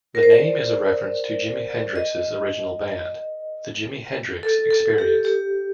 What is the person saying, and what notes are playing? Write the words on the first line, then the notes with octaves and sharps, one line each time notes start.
The name is a reference to Jimi Hendrix's original band, The Jimi Hendrix Experience.
A#4
C5
D5
D#5
A4
A4
G4
G4